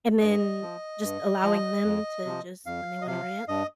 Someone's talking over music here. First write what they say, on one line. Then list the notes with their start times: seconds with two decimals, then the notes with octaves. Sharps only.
And then just allowing them to just when they wanna rant,
0.21 G2 D#5
0.62 F3
1.03 G2
1.43 F3
1.85 F2
2.26 C3 F3
2.66 F2 F5
3.02 D#5
3.07 C3 F3 F5
3.48 G2 D#5